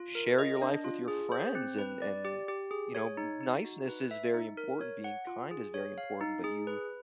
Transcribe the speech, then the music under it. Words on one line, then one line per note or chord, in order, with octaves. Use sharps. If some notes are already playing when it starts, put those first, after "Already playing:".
share your life with your friends, and and you know, niceness is very important. Being kind is very important, but you
Already playing: F4
A#4
D#5
D4
F4
G#4
C5
C4
B4
D5
G4
G4
G#4
C#5
D#4
D#4
F#4
B4
E5
D#4
A#4
C#5
F#5
F4
G#4
C#5
F5
D#4
G#4
B4